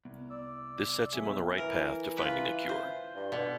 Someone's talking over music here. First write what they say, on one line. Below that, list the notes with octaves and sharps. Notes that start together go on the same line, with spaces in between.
This sets him on the right path to finding a cure.
C2 B3
D5 E6
F#3 B3 G#4 C#5 E5
E3 A#4
F4 B4
C5
G2
B2 D3